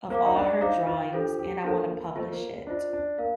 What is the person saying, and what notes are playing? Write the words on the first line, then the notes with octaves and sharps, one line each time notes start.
of all her drawings, and I wanna publish it
A#3 C5 F5 A#5 D6
D#4
D4
D#4 C5 F5 A#5 D6
F4
D4 F4 G4 A4 C5
G4
A#3 D4 F4 A4 C5
A#3
A3 F4 C5 D#5
A#3
D4 F4 C5 D#5
D4
A#3 A#4 F5